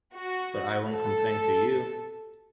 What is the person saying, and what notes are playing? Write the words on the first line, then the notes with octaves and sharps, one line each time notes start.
But I won’t complain to you!
F#4
A4